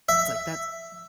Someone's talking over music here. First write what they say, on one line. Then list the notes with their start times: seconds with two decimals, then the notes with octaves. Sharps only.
It's like, that's
0.09 E5